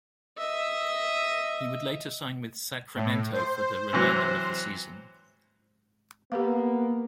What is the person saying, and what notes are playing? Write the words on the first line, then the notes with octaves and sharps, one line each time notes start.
He would later sign with Sacramento for the remainder of the season.
D#5 E5
A2
C5
C3 E3 F#3
A#3 B3 G4 A#4 F5